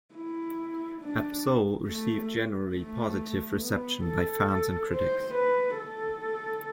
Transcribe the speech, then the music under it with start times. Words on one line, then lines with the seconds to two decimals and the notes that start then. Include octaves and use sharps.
Absol received generally positive reception by fans and critics.
0.15 E4
1.02 D4
1.88 A3
2.76 A3
3.62 B3
4.05 A4
4.92 C5
5.35 B4
5.78 A4